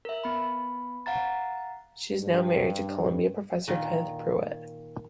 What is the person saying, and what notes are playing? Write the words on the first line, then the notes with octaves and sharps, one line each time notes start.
She is now married to Columbia professor Kenneth Prewitt.
A#4 E5
B3 B5
F5 F#5 A#5 A6
G2
A#2 D#3 F4